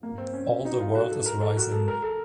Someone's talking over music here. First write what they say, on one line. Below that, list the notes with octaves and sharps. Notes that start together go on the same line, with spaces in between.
All the world is rising.
A#3
C4
C#4
D#4
F4
F#4
A4
A#4
A4
F#4
A4
A#4
A4